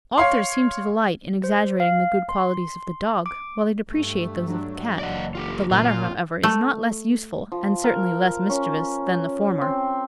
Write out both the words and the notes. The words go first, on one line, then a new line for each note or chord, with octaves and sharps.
"Authors seem to delight in exaggerating the good qualities of the Dog, while they depreciate those of the Cat; the latter, however, is not less useful, and certainly less mischievous, than the former."
C#5 F5 C6
C5
F5
C6
D6
G2 A3
F#3 D4
F#1 E3 D5 D#5 F#5
F4 G4 A4
A#2 F#3 A#3 C#4 F4
A3
F3
A#4
C#4
C4